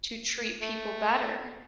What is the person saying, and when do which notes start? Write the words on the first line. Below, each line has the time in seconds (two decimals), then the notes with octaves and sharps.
to treat people better,
0.62 A3